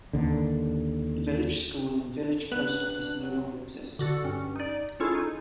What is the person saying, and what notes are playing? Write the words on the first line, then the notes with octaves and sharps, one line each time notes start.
The village school and village post office no longer exist.
D#2 D3
B3 D4 F#6
F#3
D3 F#4 A4
G2 C#4
D#4 D5
C#4 E4 F4 G#4 A4
D#4